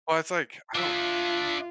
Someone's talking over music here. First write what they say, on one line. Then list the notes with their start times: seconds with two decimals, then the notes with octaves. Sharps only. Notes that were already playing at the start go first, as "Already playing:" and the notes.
Well, it's, like, I don't
0.75 D4 F4 E5